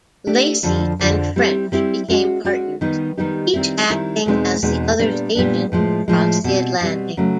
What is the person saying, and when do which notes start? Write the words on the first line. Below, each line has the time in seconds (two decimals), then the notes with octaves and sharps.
Lacy and French became partners, each acting as the other's agent across the Atlantic.
0.27 A3 D4 G4
0.63 F2 D3 F3
0.99 F2 D3 F3
1.36 G3 C4 E4 G4
1.72 G3 C4 E4 G4
2.08 G#3 C#4 F#4
2.44 G#3 C#4 F#4
2.81 D#3 G3 B3 D#4 G4
3.17 D#3 G3 B3 D#4 G4
3.54 D#3 G3 C4 E4
3.90 D#3 G3 C4 E4
4.26 E2 B2 G#3 C4 D#4
4.63 E2 B2 G#3 C4 D#4
4.99 A#2 G3 B3 D4
5.35 A#2 G3 B3 D4
5.72 A2 F3 G#3
6.08 A2 F3 G#3
6.44 B2 G3 C4
6.81 B2 G3 C4
7.17 C#3 F#3 A3 C#4